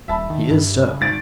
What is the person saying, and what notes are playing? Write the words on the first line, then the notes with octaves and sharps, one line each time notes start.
"He is so."
D#1 E5 A5 B5
D#3
G2
C#3
G#1 A6 D7